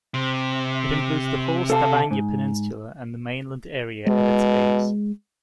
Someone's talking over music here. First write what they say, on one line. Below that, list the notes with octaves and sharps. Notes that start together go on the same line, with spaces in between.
It includes the whole Stavanger Peninsula and the mainland area at its base.
C3
A4 F5 A5
G#2
B2 G#3